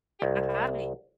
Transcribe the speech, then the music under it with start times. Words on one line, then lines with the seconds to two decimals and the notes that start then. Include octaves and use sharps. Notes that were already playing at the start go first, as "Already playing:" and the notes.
pick a hobby?
0.22 C2